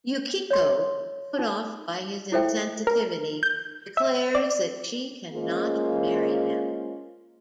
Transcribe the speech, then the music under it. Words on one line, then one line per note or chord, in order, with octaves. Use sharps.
Yukiko, put off by his insensitivity, declares that she cannot marry him.
C#5 C6
D#4
E4 A4 C5 E5 G5
A#4
G6
E5
D5
G#3 A#3 C#4 F4 G#4 C5